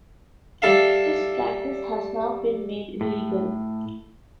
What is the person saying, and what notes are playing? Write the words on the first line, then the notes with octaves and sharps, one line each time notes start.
This practice has now been made illegal.
G3 A4 E5 F5
A2